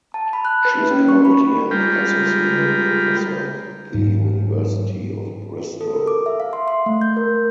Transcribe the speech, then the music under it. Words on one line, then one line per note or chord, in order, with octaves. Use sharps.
She is currently an associate professor at the University of Bristol.
A5
B5
F#6
B4
A#3
C#4
C#6
B5
G3 G#3 F4 G5 A#5 B5
G#2 F#3
A4
A#4
D6
E5
F5
C6
C6
A3
G6
A#4